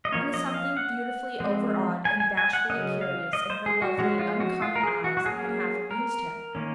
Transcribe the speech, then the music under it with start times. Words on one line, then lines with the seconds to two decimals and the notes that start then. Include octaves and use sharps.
And the something beautifully over-awed and bashfully curious in her lovely, uncommon eyes, had half amused him.
0.05 D#5
0.12 F3 A#3 C#4 C#5
0.34 D#5
0.54 F5
0.77 F#5
1.40 F3 G#3 C4
2.05 G#5
2.20 G#5
2.37 G#5
2.53 F#5
2.70 C#3 F#3 C#4 D#5
3.01 F5
3.33 D#5
3.50 C5
3.66 G#4
3.82 F#4
3.98 F3 G#3 C#4 F#4
4.19 F4
4.40 F#4
4.62 F4
4.76 A#4
4.83 G#4
5.04 F#4
5.17 F#4
5.26 F#3 A#3 C#4 G#4
5.91 A#4
6.55 D#3 A#3 C#4